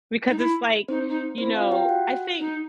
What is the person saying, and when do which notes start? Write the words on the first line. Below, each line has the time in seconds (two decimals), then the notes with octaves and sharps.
because it's like you know, I think
0.29 D#4
0.38 E4
0.88 C4 D#4 C5
1.08 D#4
1.38 C4 E4 C5
1.55 F4 F5
1.71 G4 G5
1.89 F#4 F#5
2.38 D#4